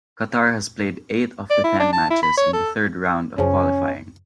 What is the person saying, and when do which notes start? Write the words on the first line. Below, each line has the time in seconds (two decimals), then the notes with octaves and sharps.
Qatar has played eight of the ten matches in the third round of qualifying.
1.50 D5
1.64 E4
1.80 D4
1.93 A5
2.10 E4
2.23 B5
2.37 C#5
2.53 A4
3.38 F#2 C#3 F3 C#4